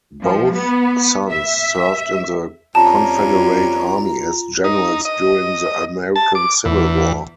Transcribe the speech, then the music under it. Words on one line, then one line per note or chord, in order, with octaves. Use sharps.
Both sons served in the Confederate Army as generals during the American Civil War.
F3
B3
E5
F2 G3 C#4 F4 A5 A#5
D#4
D#5
A5
D6
E2